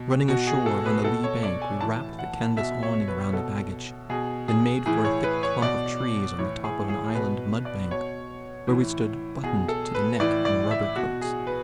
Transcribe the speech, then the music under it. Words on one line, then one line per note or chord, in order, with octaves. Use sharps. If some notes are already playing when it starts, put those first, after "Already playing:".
Running ashore on the lee bank, we wrapped the canvas awning around the baggage, and made for a thick clump of trees on the top of an island mudbank, where we stood buttoned to the neck in rubber coats.
Already playing: B2
B2 F#4
G#4
A4
B4
B2 A4
C#5
D5
G#5
A2 E3 A5
F#5
B2 E5
C#5
B4
B2 A4
B2 G#4
G#4
A2 E3 G#4
C#5
B4
C#5
B2 D5
A2 E3 C#5
G#4
G#4
B2 B4
D5
B2 C#5
A2 E3
B2 G#4
A4
B4
A2 E3 D5
D5
E5
B2 F#4
G#4
B4